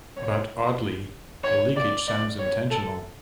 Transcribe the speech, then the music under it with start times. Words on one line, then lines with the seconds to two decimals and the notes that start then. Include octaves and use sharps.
But oddly, the leakage sounds intentional.
0.17 C#5
1.44 C#5
1.76 D5
2.08 D5
2.40 C#5
2.71 A4